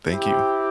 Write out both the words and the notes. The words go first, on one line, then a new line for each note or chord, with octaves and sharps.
Thank you.
C4 E4 G4